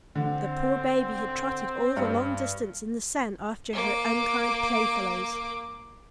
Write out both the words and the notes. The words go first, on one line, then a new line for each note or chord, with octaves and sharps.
The poor baby had trotted all the long distance in the sun after her unkind playfellows.
D3 C4
G2
A#3 D6